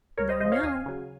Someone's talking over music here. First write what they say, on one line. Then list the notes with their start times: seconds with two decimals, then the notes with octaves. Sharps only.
No, no.
0.17 C#2 A#4 C#5
0.29 C5 D#5
0.40 C3 C5 D#5
0.45 F3
0.52 C#5 F5
0.63 D#2 F5 G#5
0.86 C#3 F#3